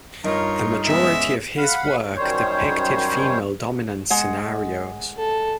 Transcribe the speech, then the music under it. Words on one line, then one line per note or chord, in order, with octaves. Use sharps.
The majority of his work depicted female dominance scenarios.
G2 D#4 F4 A#4 C#5 D#5
C#3 G#3 B3 E5
F5 F#5 B5
F#2 D#3 G3 C5 C#5
G#3 F#5
A4